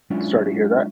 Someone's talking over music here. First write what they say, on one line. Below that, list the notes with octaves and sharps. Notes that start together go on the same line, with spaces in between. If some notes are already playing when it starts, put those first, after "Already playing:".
Sorry to hear that.
F#3 G#3 C#4 D4 E4 F4